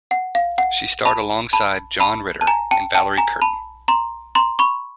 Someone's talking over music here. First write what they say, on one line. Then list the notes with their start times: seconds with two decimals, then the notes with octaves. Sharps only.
She starred alongside John Ritter and Valerie Curtin.
0.11 F#5
0.35 F5
0.58 F#5
1.05 A5 B5
1.53 A5 B5
2.00 A5 B5
2.41 A5
2.47 G#5 A#5
2.71 G5 A5
2.95 G5 A5
3.18 G#5 A#5
3.42 A5 B5
3.88 A#5 C6
4.35 A#5 C6
4.59 B5 C#6